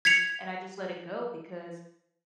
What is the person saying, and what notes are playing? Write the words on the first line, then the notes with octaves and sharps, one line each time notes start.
And I just let it go because
G#6 B6 C#7 F7